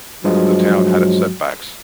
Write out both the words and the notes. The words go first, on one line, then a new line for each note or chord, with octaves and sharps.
The town had its setbacks.
G2 F3 F#3 G#3